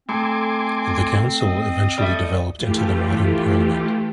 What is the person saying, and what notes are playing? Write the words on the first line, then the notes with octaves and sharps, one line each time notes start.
The Council eventually developed into the modern Parliament.
A3 C4 A4 G#5 C6 D6
D#5
G3 A3
E3 A3 F4 G4